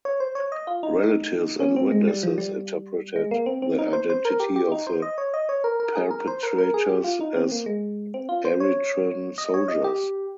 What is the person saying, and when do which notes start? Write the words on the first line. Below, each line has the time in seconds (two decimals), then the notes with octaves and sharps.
Relatives and witnesses interpreted the identity of the perpetrators as Eritrean soldiers.
0.05 C#5
0.20 C5
0.35 C#5
0.52 D#5
0.67 F4
0.83 D#4
1.60 C#4
1.76 C4
1.92 G#3
2.08 G3
2.23 F3
2.38 G3
3.16 G#3
3.31 A#3
3.46 C4
3.62 C4
3.79 D#4
3.93 C5
4.10 C5
4.25 A#4
4.40 G4
4.56 G4
4.72 D#4
4.87 C5
5.02 D#5
5.18 C#5
5.34 D#5
5.49 C#5
5.64 A#4
5.80 A#4
5.95 G#4
6.11 A#4
6.27 C5
6.43 A#4
6.58 A#4
6.74 G#4
6.89 G4
7.04 F4
7.21 D#4
7.36 C4
7.52 A#3
7.66 G#3
8.14 C4
8.29 F4
8.45 C5
8.60 C#5
9.38 D#5
9.54 C#5
9.68 D#5
9.84 G4